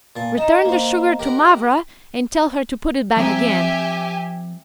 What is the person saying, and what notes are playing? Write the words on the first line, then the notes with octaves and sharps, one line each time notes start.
Return the sugar to Mavra, and tell her to put it back again.
A#2 A5
D#4 D#5 A#5 E7
A#3 C5
G4 A#4 F#5
F3 C4 G4 E5 G#5 A#5